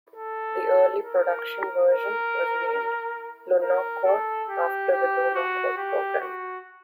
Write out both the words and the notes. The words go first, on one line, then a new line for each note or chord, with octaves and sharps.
The early production version was named "Lunokhod" after the Lunokhod programme.
A4
A#4
A#4
A#4
A4
G4
G4
F#4
G4
F#4